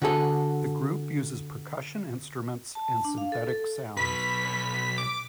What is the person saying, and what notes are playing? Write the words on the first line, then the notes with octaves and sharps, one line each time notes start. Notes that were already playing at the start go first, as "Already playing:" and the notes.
The group uses percussion instruments and synthetic sounds.
D3 F#4 G#4 A4
A5
D4
F5
A4
A4
B1 B4 B5 B6
D6